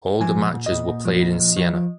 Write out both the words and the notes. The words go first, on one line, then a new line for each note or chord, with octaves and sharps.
All the matches were played in Siena.
F3 G#5
A#2
A#2
D#5
A#2
A#2
F3
A#2
F3
F3
F3